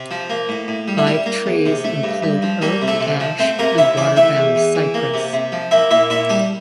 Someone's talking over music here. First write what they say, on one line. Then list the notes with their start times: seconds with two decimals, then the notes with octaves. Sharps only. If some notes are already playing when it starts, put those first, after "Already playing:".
Live trees include oak, ash, and water-bound cypress.
Already playing: C3
0.11 F3
0.30 A#3
0.49 A2
0.68 A2
0.88 G3
0.98 E4
1.06 G3 D4
1.26 A#3
1.46 E2
1.66 C3
1.84 A3
2.03 G2
2.23 G2
2.43 F3
2.62 G3 A#3 G4
2.82 C3
2.87 A3 A4
3.00 C3
3.20 F3
3.39 A3 C4 C5
3.59 C3 A#3 A#4
3.78 C3 E4 E5
3.97 E3 D4 D5
4.16 A3 E4 E5
4.36 E2
4.55 E2
4.75 E3
4.94 A#3
5.14 C3
5.33 C3
5.52 F3
5.71 A#3 E4 E5
5.91 A#2 E4 E5
6.10 A#2 E4 E5
6.29 G3 D4 D5